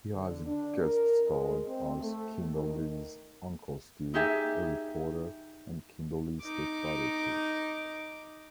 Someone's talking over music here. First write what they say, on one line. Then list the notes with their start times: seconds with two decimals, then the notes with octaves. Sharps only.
He has guest-starred as Kimberly's Uncle Steve, a reporter, and Kimberly's stepfather too.
0.14 D3
0.46 D4
0.83 A#4
1.26 G#3
1.66 C4
2.00 A3
2.54 D#3
4.14 D#4 G4 G#4 E5
6.43 D#4 D6